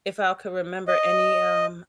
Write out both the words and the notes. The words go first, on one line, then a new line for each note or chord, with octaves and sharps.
if I could remember any, um,
D#5